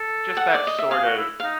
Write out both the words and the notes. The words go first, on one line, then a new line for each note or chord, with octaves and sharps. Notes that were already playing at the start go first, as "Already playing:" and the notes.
just that sort of
Already playing: A4
F#5
D5
D#5
E5
G#4 F5
F#4
E4
F5
D#4